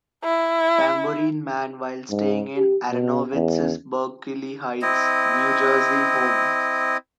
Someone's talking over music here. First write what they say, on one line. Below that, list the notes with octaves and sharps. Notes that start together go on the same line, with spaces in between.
Tambourine Man while staying in Aronowitz's Berkeley Heights, New Jersey home.
E4
G#2
G4
B2
E2
C4 E4 D#5